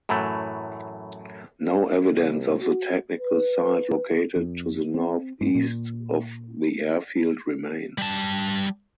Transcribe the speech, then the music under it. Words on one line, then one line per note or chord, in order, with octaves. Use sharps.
No evidence of the technical site located to the north-east of the airfield remains.
F#2 A2 E3 F#3 A3
C2
F#4
B4
F2
C4
G#2
A#2
G3 A5